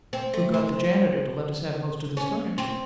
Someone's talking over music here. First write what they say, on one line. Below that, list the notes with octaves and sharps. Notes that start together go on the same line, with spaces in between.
Who got the janitor to let us have most of this furniture?
C4
A3
C4
C#4
C4